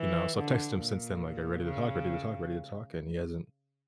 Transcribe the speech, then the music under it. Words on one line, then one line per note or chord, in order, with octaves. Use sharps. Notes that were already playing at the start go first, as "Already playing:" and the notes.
you know, so, I've texted him since then, like, "Are you ready to talk? Ready to talk? Ready to talk?" and he hasn't
Already playing: E3
D3
A#2
C#3